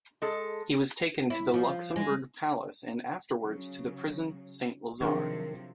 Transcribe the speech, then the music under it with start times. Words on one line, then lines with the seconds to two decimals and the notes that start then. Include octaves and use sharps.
He was taken to the Luxembourg Palace and afterwards to the Prison Saint-Lazare.
0.22 G#3 A4
1.30 E4
1.54 F3
1.96 G#3
3.43 C#3 F#3
5.01 C3 D#3 F3 F#3 D4 G#4 A#4